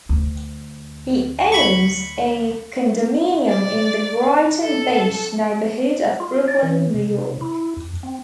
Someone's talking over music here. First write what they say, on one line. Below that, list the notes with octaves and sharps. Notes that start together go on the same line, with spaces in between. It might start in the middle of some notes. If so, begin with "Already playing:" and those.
He owns a condominium in the Brighton Beach neighborhood of Brooklyn, New York.
D2
B5 C#6
D5
A4
F4
D5
E3
C3
E4
F2
C4